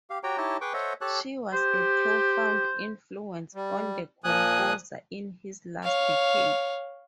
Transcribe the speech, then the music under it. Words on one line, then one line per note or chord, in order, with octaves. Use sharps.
She was a profound influence on the composer in his last decade.
G4 F5
F#4 G4 C#5 G5 A#5
D#4 E4 G4 C#5 D#5 A5
G#4 B4 G5 C#6 D6
A4 C5 C#5 D#5 E5 F#5
G4 A4 C#5 A5 F#6
G4 C5
G3
A#2 F3 G#5 D#6 F#6
C#5 F5